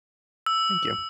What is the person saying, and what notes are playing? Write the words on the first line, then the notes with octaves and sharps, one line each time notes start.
Thank you.
E6